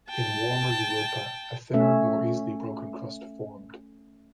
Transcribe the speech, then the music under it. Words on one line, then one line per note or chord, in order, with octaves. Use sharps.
In warmer Europa a thinner more easily broken crust formed.
G5 A5
A3 C#4 A4 E5